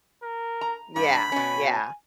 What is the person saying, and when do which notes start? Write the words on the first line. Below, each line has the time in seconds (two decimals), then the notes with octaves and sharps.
Yeah, yeah.
0.23 A#4
0.61 A#5
0.96 G2 D4 B5
1.32 B2 C#4 G#5